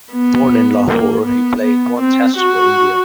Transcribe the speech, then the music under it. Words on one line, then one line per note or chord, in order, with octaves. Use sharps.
Born in Lahore, he played one Test for India.
B3
A#3
B3
B3
C4
F#4